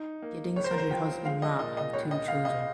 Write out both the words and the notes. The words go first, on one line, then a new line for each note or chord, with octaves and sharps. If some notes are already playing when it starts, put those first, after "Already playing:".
Giddings and her husband Matt have two children.
Already playing: D#4
A#3
C#2 C#5
C5
A#4
C5
F3 G5
G#3 F5
D#5
A#2 D#5
D#5
C#2 C#5
D#5
C#3 F5
D#5